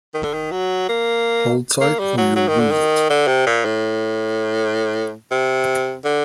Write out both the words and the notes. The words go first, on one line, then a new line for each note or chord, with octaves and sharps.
Hold tight, or you'll lose it!
D#3
D3
D#3
F#3
A#3
A#3
G3
F#3
F#3
D#3
D3
D#3
D3
C3
A#2
A2
C3
D3